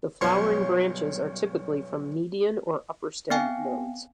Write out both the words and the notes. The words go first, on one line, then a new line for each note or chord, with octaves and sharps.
The flowering branches are typically from median or upper stem nodes.
B1 G2 C#4 C#5 C6 C#6
B3 C4 F5 G5 G#5